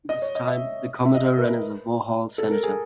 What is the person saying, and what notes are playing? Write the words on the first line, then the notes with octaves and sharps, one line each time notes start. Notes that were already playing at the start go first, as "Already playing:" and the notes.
During this time the Commodore ran as a Vauxhall Senator.
D#5
C#5
D#5
E5
E5
D#5
E5
A#4
B4
A4
A#4
G#4